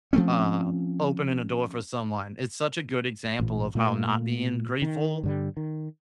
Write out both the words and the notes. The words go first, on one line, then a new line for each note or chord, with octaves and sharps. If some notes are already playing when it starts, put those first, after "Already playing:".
um, opening a door for someone, it's such a good example of how not being grateful
F3 A3 C4 C#4
A1 A#2
A#2 A3 A#3
D#3
G2 D3 G3
D#3